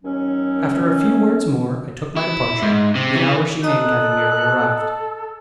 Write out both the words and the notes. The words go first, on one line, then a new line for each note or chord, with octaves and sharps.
After a few words more, I took my departure, the hour she named having nearly arrived.
D#2 F#3 C#4
E4
G#2
C3
E3
A4 D#5 A#5 D#6 F#6